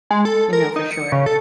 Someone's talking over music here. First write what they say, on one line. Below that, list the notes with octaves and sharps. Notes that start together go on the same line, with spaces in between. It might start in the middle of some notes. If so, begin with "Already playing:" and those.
You know, for sure.
G#3
A4
A#4
D#4
C#7
C#3
A4